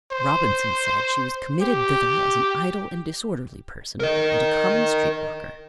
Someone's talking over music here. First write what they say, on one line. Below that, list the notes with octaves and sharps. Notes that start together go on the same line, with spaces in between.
Robinson said she was committed thither as an idle and disorderly person, and a common street-walker.
C5
G4
A#4 D#5